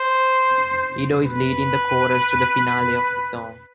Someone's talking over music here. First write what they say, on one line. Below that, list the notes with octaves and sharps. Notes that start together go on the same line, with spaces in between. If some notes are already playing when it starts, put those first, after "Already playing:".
Edo is leading the chorus to the finale of the song.
Already playing: C5
B4